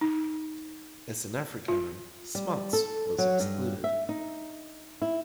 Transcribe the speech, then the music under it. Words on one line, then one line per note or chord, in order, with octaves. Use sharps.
As an Afrikaner, Smuts was excluded.
D#4
F4
G3
A4
F#3
G2
E5
D#4
E4